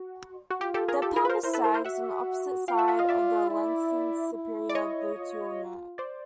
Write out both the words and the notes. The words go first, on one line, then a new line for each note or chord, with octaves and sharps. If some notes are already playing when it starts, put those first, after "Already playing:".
The pelvis sags on the opposite side of the lesioned superior gluteal nerve.
Already playing: F#4
F#4
F4 G4
G4 A4
G#4 A#4
G4 A4
G#4 A#4
B4
A#4 C5
E4 A#4 C5
A4 B4
A#4 C5
A#4 C5
F#4 E5 F#5
F4 F5 G5
E5 F#5
E5 F#5
D#5 F5
D5 E5
E4
E4
D5
C#5 D#5
F4
C5 D5